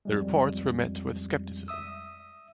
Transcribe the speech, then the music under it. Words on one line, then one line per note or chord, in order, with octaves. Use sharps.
The reports were met with scepticism.
F2 G3 G#3
E5 D#6 E6